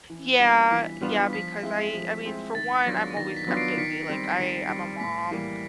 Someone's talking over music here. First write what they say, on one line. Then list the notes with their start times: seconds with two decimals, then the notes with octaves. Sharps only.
Yeah. Yeah, because I I mean, for one, I'm always I'm busy. Like, I I'm a mom,
0.10 E3
0.40 G3 B3 D4 F4
0.70 E3 B6
1.01 G3 B3 D4 F4
1.33 F3 B6
1.63 G#3 C4 E4
1.94 F3
2.25 G#3 C4 E4
2.55 D#3 A6
2.86 F#3 B3 D4 F4 A#6
3.16 D#3 A#6
3.37 B6
3.47 F#3 B3 D4 F4
3.57 C7 D7
3.77 D#3 B6 C#7
4.08 G3 C4
4.39 D#3
4.69 G3 C4
5.00 A2 B6
5.31 E3 G3 A#3